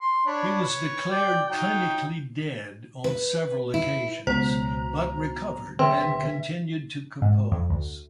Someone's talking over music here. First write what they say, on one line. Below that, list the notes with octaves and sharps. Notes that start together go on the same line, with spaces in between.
He was declared clinically dead on several occasions, but recovered and continued to compose.
C6
D4 C#5 B5
B4 C#5
D5 G5
F#3 D#4 G5
B4
E4
C#2 B2 F#3 C5 A#5
D3 C4 B4 E5
G#2
F2
D2